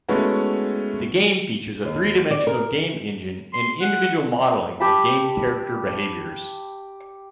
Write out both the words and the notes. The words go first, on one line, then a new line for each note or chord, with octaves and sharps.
The game features a three-dimensional game engine and individual modeling of game character behaviors.
G#3 A3 B3 C#4 E4 F#4
D#2
D5
A#4
C6
F#5
G4 A5 B5